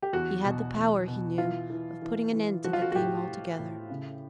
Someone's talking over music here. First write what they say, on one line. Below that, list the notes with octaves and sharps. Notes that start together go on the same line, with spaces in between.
He had the power, he knew, of putting an end to the thing altogether.
G4
E2 F#4
B2
E2
B2
E3 F4
E3
E3
E3
F3 F#4
F4
F#4
F#4
A2 G4
A2
A2
C#3